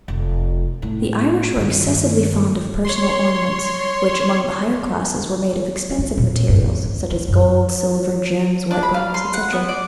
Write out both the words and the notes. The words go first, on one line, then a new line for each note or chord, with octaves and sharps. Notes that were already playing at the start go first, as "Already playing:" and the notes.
The Irish were excessively fond of personal ornaments, which among the higher classes were made of expensive materials, such as gold, silver, gems, white bronze, etc.
F1
A2
G2 D#3
C#5 C6
E2
A#2
G2
E3
D#2
C#4
F#2
D4
B5
F5
C6
F#5
B3
D5